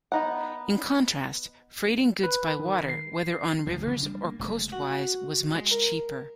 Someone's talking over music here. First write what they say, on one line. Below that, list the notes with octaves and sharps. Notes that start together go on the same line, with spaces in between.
In contrast, freighting goods by water, whether on rivers or coastwise was much cheaper.
B3 D#4 F#5
B4
D#3
C7
D2 D3 F3
C#3 F3 G#3 A#3
G3 D4
A#3
F#1 C3 G#3 A3
F#4
G#3
A#4